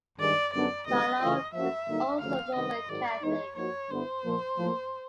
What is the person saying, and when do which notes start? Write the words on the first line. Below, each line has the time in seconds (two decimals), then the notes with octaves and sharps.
Vallone is also a Roman Catholic.
0.20 G2 D#3 G#3 D5
0.54 F#2 D3 G3 B3 D4 D5
0.87 D2 C3 E3 G#3 B3 D#5
1.20 C#3 E3 A3 C#4 F4 D#5
1.54 F3 A#3 C#4 F#4 E5
1.87 G2 D3 F#3 A#3 D#4
2.21 D2 C#3 F3 F5
2.55 C3 D#3 G3 B3 D#5
2.89 G#2 D#3 F#3 D5
3.22 E3 G#3 B3 D#4 C#5
3.56 F3 A#3 D#4 F#4 C#5
3.89 G2 D3 G3 B3 E4 C5
4.24 A#2 F3 A#3
4.57 A2 F3 A#3